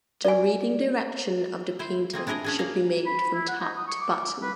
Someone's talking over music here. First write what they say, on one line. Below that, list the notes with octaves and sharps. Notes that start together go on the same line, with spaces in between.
The reading direction of the painting should be made from top to bottom.
D5 G#5
E4 C5
A#3 C4 G#4
D4 E4 G#4 A#4 D#5
C#4 D4 G#4
A#3 F5
B5
E4
F#5
D#4
D#6
C#6
D6
B4